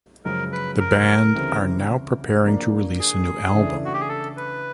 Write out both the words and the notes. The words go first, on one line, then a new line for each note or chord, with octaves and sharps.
The band are now preparing to release a new album.
F#2 C#3 F3 G#3 A#4
B4
A#4
D2 C#3 E3 G3 C4
F3 A#3 D4
G#4
C#3 E3 A3 D4
F#4
G4
G#4
A4
B4